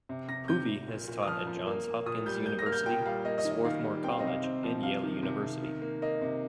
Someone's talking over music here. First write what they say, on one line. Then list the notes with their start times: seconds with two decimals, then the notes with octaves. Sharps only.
Poovey has taught at Johns Hopkins University, Swarthmore College, and Yale University.
0.09 C3
0.29 C3 A#6
0.48 C3 G6
0.68 C3
0.88 A#2
1.08 A#2
1.23 D#6
1.27 F3 F6
1.47 F3
1.66 A#3
1.87 A#3
2.06 A#2 D#6
2.26 G3 G6
2.46 A#3 G6
2.59 A#6
2.66 A#3 F6
2.72 G6
2.86 A#2 G5
3.05 G3 F5
3.25 A#3 D#5
3.38 D#5
3.45 D#3
3.51 D#5
3.65 D#3 F5
3.84 G3
4.04 C4 G5
4.12 F5
4.20 D#5
4.24 C3 F5
4.44 C4
4.64 F3
4.83 C3 F5
5.03 D#3
5.23 C3
5.43 C3
5.62 D#3
5.82 A#3
6.02 A#3 D#5
6.21 C3